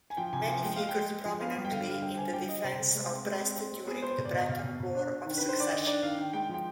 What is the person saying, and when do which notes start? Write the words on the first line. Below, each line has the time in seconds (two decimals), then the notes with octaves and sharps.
Manny figured prominently in the defense of Brest during the Breton War of Succession.
0.10 G#5
0.17 F3 G5
0.33 C3 G#5
0.48 F3 G#5
0.64 G#3 G5
0.76 G#3 F5
0.89 G5
0.94 G#3
1.10 G#3
1.25 F3
1.41 B3 F5
1.56 G3
1.65 G5
1.71 D3 F5
1.87 G3 F5
2.02 D3 G5
2.17 D3 G#5
2.33 G3 G5
2.48 G3 D#5
2.64 C3 C5
2.80 C3
2.95 G#3
3.10 C4
3.25 G#3
3.41 C4
3.56 C4
3.72 G#3
3.87 B3 G#4
4.02 B3 C5
4.18 B2
4.25 D5
4.33 B2 D#5
4.49 B2 F5
4.64 B2
4.80 B2
4.95 D4
5.10 D4
5.26 D#3
5.38 D#3 B4
5.49 C5
5.56 D4 D5
5.72 D#3 D#5
5.87 D4 D5
6.03 D#3 F5
6.18 D#3 G5
6.33 G#3 G5
6.49 F3 G5